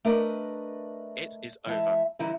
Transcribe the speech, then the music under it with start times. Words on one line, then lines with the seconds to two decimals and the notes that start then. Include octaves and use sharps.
It is over.
0.05 A3 D4 A#4 B4 D5 D#5
1.66 E3 G#3 E5 F#5 A5
2.19 D3 E3 G3 D#4 E4